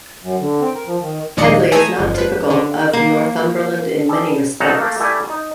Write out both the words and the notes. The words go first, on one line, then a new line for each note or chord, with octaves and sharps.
Hedley is not typical of Northumberland in many respects.
F#2
D3
C4
A#4
F3
D#3
A#1 D#2 G#3 D5 D#5 C#7
A3 G#5 A#5 D#6 E6
G1 F2
F3 B4
D3
A#3
G3 G#4 A4
C2 F#3 D#4 A4 F#5 A#5
A3 A#3 A#4
G3 A3 E4 G#5
D#4